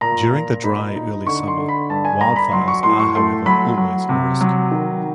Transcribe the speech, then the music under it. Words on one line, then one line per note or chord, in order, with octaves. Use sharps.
During the dry early summer wildfires are however always a risk.
A#2 A#5
A#2
D#4 B5
D#4
D3 C#6
C6
D3
B5
G2 A5
G#5
G2 A#5
B5
F#3 C6
C#6
A2 C6
C#6
A3 C6
F#3 B5
F#3
C3
F#3
D#3